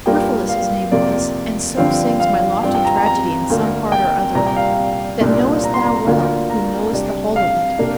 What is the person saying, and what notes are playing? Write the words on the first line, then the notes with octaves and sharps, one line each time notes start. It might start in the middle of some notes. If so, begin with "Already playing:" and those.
Eryphylus his name was, and so sings My lofty Tragedy in some part or other; That knowest thou well, who knowest the whole of it.
G2 G3 A#3 F4 G5
F5
F2 C3 A#3 F4 D5
G2 D3 F3 C4 F5
F5
G2 G3 C4 F4 G5
G5
A#5
A#5
A#5
D2 D3 A#3
G5
C2 A#2 G3 A#5
G5
F5
C2 A#2 A#3 D4 F4
A#5
C6
A#5
A#5
D2 D3 A#3 F4
A#5
C3 G3 D4
F5
C3 A#3 D4